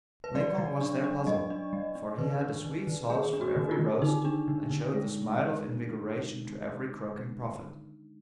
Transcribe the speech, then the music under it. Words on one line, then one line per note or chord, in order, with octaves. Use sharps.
Lincoln was their puzzle; for he had a sweet sauce for every "roast," and showed the smile of invigoration to every croaking prophet.
B4
F#3 D5
F#3
D4
D4
F#3 D#5
D4
F#3
D4
D#3 B4
D4
D#3
D#3
A#3 G#4
D4
F#4
D#3
F4
D#3
D3 D#4
D4
D3
D3
G#3